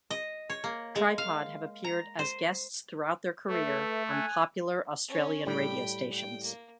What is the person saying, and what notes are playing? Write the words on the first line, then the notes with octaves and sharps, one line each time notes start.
Tripod have appeared as guests throughout their career on popular Australian radio stations.
D#5
C#5
A#3
G#3
F5
A#5
C5
A3 A4 B4 E5
G#5 F#6 G#6
C#4 C#5
A2 G3 G5 B5
G5
A#3